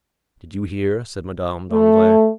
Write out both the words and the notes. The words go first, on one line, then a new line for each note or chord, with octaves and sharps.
"Did you hear?" said Madame Danglars.
A3